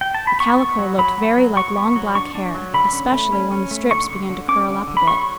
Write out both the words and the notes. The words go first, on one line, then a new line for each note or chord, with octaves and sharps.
The calico looked very like long black hair, especially when the strips began to curl up a bit.
G5
A5
B5
B3 C#6
B3
F#3
F#3 B5
F#3
F#3
F#3 C#6
B3
F#3
D4 C#6
D4
F#3
D3 B5
C#4
A3
C#4
C#4
A3
D3 C#6
D3
D3
C#4 D6
D3
D3
B5
F#3 C#6